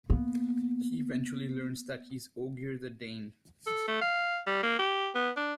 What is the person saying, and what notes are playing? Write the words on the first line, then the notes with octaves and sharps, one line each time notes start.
He eventually learns that he is Ogier the Dane.
A#3 B3
A4
A3
F5
G3
A#3
G4
B3
D4